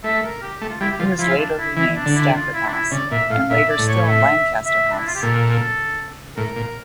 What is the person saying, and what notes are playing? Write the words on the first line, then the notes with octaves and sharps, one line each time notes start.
It was later renamed Stafford House, and later still Lancaster House.
A3 E5
A#4
G4
A3
F4
G3 E4
G4
F3 F4
F3 E4
D4
E4
E3 E4
D4
D3
E4
F4
E4
D4
E4
C#3 D5
A#2 E5
A2 F5
A#2 E5
D5
A2
C#5
E5
E5
D4
E4
F4
G4
A#2 A4
A2 A#4
A#2